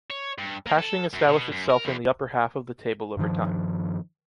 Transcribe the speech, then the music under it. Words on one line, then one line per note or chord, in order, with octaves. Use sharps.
Pasching established itself in the upper half of the table over time.
C#5
G2
A#3
A4
F#2
B2
F#2
A#4
E2
G2 D#3 F3